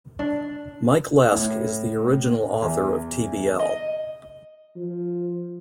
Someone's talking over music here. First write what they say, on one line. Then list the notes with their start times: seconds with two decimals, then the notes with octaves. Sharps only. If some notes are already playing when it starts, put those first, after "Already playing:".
Mike Lesk is the original author of tbl.
0.19 D4
1.32 A2
2.62 E2
3.59 D#5
4.76 F3